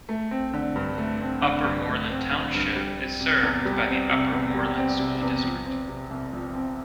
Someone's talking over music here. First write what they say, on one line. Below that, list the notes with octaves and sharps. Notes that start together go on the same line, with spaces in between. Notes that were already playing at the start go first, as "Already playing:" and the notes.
Upper Moreland Township is served by the Upper Moreland School District.
A3
C4
D3
G2
A3
C4
D3
G2
A3
C4
D3
G2
G3
C4
C3
E2
G3
C4
C3
E2
G3
C4
C3
E2
F3
C4
C3
C2
F3
C4